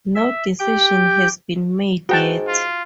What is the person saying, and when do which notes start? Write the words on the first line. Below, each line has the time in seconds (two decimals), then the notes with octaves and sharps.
No decision has been made yet.
0.15 E5
0.59 G4 G5 G6
2.09 G#2 F#4 G5 A5
2.48 F4